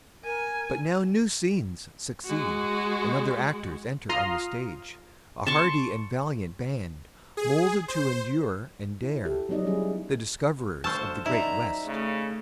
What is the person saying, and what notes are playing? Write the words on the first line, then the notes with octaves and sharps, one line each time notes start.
But now new scenes succeed, and other actors enter on the stage, a hardy and valiant band, moulded to endure and dare,--the Discoverers of the Great West.
A#4 G#5
G#3 F#4
F4 A#5 C6 D#6 F6
A5 C6 C#6
G#4
C5
E4
G4 A4
F#3 B3 D#4 D5 D#5
G3 C#4 E4 G#4
D2 C5 A5 C#6 E6 F6
F#2 D#4 E4 D5 A#5
C#3 A3